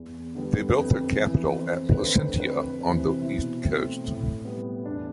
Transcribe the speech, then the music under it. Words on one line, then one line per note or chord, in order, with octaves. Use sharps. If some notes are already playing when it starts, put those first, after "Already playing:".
They built their capital at Placentia on the east coast.
Already playing: E2
D3 G3 B3
F2 B4
E3 B3
F2 C5
B4
D3 A3 C4 C5
F2 B4
C3 E3 C5
B2 E4
A3 C4
A2
G3 B3
E2 D4